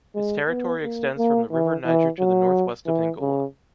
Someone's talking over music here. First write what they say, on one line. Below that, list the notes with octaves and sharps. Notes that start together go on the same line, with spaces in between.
Its territory extends from the River Niger to the northwest of Angola.
G#3
B3
A#3
A#3
E3
E3
F#3
E3
C#3